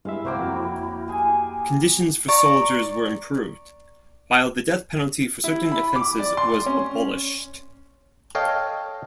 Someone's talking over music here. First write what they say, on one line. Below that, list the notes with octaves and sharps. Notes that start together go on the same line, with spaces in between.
Conditions for soldiers were improved, while the death penalty for certain offences was abolished.
G2 G#3 E4 E5 F5
C2 F#3 A#3 C5 G5 D6
F2 F#4
G4 G#4 G#5
D5 A#5 C#6
E4
B5
D6
D5
C6
C#4
A4 C#5 D#5 F5 G5